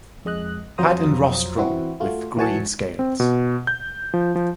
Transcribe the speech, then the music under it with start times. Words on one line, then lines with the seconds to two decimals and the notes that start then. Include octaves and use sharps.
Head and rostrum with green scales.
0.25 F2 G#3 D#5 F#6
0.78 F2 F#3 F4 C5 A#5 D#6
1.57 E3 C4 E4 F#4
2.00 A3 F4 F#4
2.37 E3 F#3 F#4 G#5 A5 C#7
2.99 C4
3.20 B2
3.67 G6
4.14 F3
4.36 F3